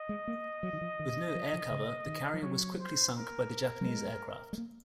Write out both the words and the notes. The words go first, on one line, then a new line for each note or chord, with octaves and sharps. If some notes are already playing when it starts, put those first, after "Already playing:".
With no air cover, the carrier was quickly sunk by the Japanese aircraft.
Already playing: D#5
G#3
A#3
F#3
D#3
F3
D#3
F3
F3
C#3
D#3
F3
F#3 C#5
C5
A#4
F#3
G#3
G#3
A#3